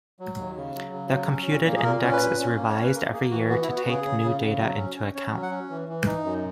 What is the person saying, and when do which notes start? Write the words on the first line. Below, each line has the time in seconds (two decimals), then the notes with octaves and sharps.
The computed index is revised every year to take new data into account.
0.20 F#3
0.38 D#2
0.56 C#3
0.75 F#3
0.92 C#3
1.11 F#3
1.30 C#4
1.48 A#2
1.67 A#3
1.77 G#4
1.84 A#2 A#4
2.03 C#4
2.12 B4
2.21 A#2
2.40 C#4
2.57 A#3
2.70 C#5
2.76 C#4
2.83 B4
2.94 A#3 A#4
3.13 A#3 G#4
3.31 E3 F#4
3.49 B3 F#4
3.63 E4
3.68 B3
3.77 F#4
3.86 C#3 G#4
4.04 C#3
4.23 C#3
4.41 C#3
4.59 F#3
4.78 C#4
4.96 C#4
5.14 C#4 C#5
5.33 F#3
5.42 F#5
5.51 C#4
5.70 E3
5.88 E3
6.06 D#4
6.24 F#2